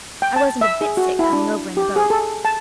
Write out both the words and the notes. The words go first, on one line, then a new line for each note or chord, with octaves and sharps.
I wasn't a bit sick coming over in the boat.
G5
A5
E5
G#4
F#4
E4
D4
G4
G#4
A4
A5